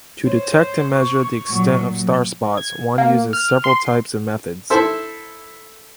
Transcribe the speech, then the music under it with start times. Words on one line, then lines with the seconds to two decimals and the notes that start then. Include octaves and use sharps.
To detect and measure the extent of starspots one uses several types of methods.
0.24 C5 C#5
0.92 C#6
1.48 A#2 F#3
2.57 G#6
2.98 A#3
3.33 F6
3.64 C6
4.70 E4 A4 C5 E5